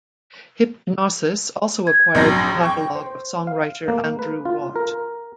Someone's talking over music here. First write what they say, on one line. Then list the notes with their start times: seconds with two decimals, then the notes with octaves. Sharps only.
Hipgnosis also acquired the catalogue of songwriter Andrew Watt.
1.87 G#6
2.15 A#1 F#2 A#6
2.63 G5 C#6
2.95 C5
3.47 F5
3.88 A#3
4.19 B4
4.45 F4
4.76 A#4